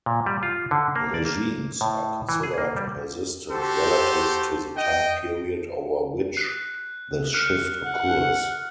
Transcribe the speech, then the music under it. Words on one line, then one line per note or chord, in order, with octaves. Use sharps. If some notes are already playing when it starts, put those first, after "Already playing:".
Regimes are considered persistent relative to the time period over which the shift occurs.
A#2
G3
F4
D3
A#3
D5
A#3
A2
E3
G#4
A#3
G3
F#4 G4 A4 C5
D#5 G5
F#6
F6 F#6 C#7
F#5